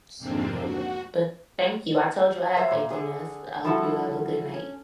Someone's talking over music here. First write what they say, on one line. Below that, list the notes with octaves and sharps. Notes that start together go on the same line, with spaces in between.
She did, but thank you. I told you I have faith in this. I hope you have a good night.
F2 G#2 C3 A#3 C4 D4
F#4
F#3 C5 E5
A#2
D3 G#4
F3 G3 E4 F#4 A4
C#4